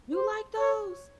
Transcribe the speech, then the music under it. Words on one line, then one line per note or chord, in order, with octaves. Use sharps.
You like those?
C5
C#5